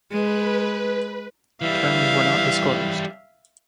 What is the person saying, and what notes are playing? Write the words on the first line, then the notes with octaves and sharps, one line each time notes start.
Terms were not disclosed.
G#3 B4
E3 G3 E5 F5